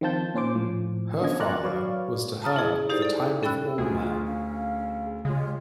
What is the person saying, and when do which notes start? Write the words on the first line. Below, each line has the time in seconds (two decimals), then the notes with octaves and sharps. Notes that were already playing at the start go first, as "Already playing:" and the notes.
Her father was to her the type of all men.
0.01 D#3 F3 C4 F4 A5 G6
0.34 A#2 C#4 C5 D6
0.55 A2 F3
1.21 D3 B3 C#4 D#5 G#6
1.40 A#4 D5 A#5 F#6
1.63 F#3 B4 C#5 D5 F5
2.42 A5 A#5 D#6 F6 A6
2.56 E4 G#4
2.90 D#4 G4 A4 C5 D5
3.02 A4 D5
3.43 C#4 A4 G5 B5 E6 F#6
3.78 D2 F4 G#4
4.25 C#4 F5
5.25 C#3 G#3 F4 G4 C#5